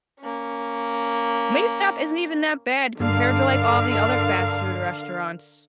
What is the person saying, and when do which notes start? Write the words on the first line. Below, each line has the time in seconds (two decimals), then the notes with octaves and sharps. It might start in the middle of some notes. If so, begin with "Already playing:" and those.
Wingstop isn't even that bad compared to, like, all the other fast food restaurants.
0.21 A#3 C#4
3.00 G2 D3 A#4 F5